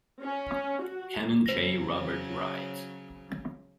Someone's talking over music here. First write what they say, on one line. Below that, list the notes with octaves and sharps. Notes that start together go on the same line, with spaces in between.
Canon J. Robert Wright.
C#4
F#4
C#3 F#3 C5 A#6